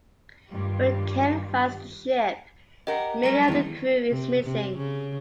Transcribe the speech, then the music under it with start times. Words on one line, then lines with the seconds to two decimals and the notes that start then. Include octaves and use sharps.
When Ken finds the ship, many of the crew is missing.
0.51 G2 D#3 G3 F4 G4
2.87 G4 A#4 D#5 F#5
3.23 F#3 G3 A3 A#5 A#6
3.48 E2 D#3 F3
4.10 C3
4.43 C3
4.77 C#3